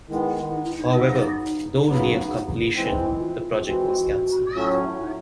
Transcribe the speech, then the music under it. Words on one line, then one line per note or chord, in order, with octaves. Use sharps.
However, though near completion, the project was canceled.
D#3 G#3 B3 E4
D#4
E4
D#4
C#3 F#3 B3
C#3 F#3 B3
E3 G#3 C4 E4
D#4
E4
F4
F4
E3 G#3 C4 F#4
A2 F#3 A3 C#4 F4
E4
D#4